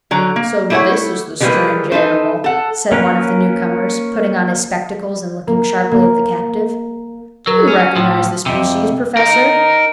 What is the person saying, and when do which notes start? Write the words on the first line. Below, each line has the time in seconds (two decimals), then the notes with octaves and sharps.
"So this is the strange animal," said one of the new-comers, putting on his spectacles and looking sharply at the captive; "do you recognize the species, Professor?"
0.11 D3 F#3 A#5
0.36 A#3
0.70 G3 A3 E4 G#4 C#5 F#5
1.41 D3 E3 G3 G#3 A#3 B4
1.92 D#4 A4 B4 C5
2.44 A4 F#5
2.92 A#3 C#4 A#4 B4
5.47 A#3
5.92 A#3
7.47 F#3
7.68 C#4
7.96 A2 F3
8.46 F2 C3
9.17 D#4 A#4